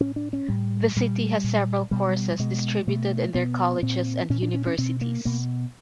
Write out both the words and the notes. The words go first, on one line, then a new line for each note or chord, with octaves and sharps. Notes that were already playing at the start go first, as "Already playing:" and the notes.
The city has several courses distributed in their colleges and universities.
A2 C#4
D4
C#4
A2 G3
A#2 G3
A#2
B2 G3
B2 G#3
B2 A3
B2 B3
A#2 C4
A#2 C#4
D4
C#4
C#4
B2 C4
A#3
B2 A#3